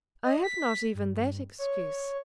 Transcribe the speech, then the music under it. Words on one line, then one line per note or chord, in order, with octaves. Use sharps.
'I have not even that excuse.
D#5
B6
G2
C#5